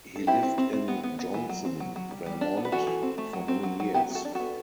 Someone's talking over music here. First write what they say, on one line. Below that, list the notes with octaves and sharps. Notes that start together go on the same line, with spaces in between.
He lived in Johnson, Vermont for many years.
A4
C4 E4 G4
C4
C4
C4
B3
B3
B3
E3
F#3
C4
F#3
F#3
G3
G3
D4
B3
B4
E3 F#4 A4
E3
C4
A3
F#3
C4
F#3
F#3
B3 E4 G4
B3
F#4 A4
D4
B3 F#4 A4